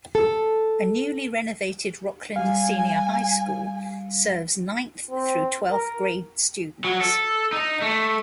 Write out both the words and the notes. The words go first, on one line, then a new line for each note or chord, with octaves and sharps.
A newly renovated Rockland Senior High School serves ninth through twelfth grade students.
A4
G3 F5 G#5
C4
A#4
F#3
A4
D#4
A3